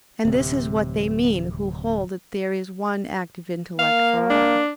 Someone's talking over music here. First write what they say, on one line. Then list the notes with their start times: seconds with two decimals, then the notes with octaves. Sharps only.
And this is what they mean who hold that there is one active intellect for all.
0.25 D1 C3
3.79 A#3 F5
4.30 D4